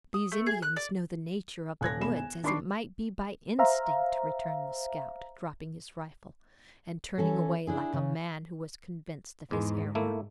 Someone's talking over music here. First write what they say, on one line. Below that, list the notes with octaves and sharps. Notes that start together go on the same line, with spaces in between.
"These Indians know the nature of the woods, as it might be by instinct!" returned the scout, dropping his rifle, and turning away like a man who was convinced of his error.
D#6
A3
G#4
F#6
D5
D#1 F#6 G#6 A#6
E1 E2 B5 E7
G#5
D#3 D4 B5 C#6 D6 C7
C5 E5 F5 A#5
E3 C#4 A4
D4 E4 G#4
C#3
E2 G#2 G#3
A3 A#3 E4